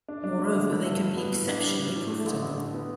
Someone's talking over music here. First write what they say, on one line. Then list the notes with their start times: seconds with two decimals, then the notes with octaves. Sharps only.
Moreover, they could be exceptionally profitable.
0.08 D4
0.24 D4
0.39 A3
0.55 D3
0.70 E4
0.87 G2
1.01 G3
1.17 B3
1.33 A2
1.48 D4
1.64 G3
1.80 D4
1.95 A2
2.11 A3
2.26 A1
2.42 A1
2.57 D3
2.73 B3